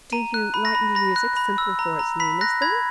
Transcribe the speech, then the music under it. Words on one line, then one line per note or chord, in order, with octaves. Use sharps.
'Do you like new music simply for its newness, then?'
A#5 D#7
F#6
B5
A#6
B5
B5 A#6
F#6
B5
E6
A#5
A#5
B5 B6
F#6 A#6
B5 G#6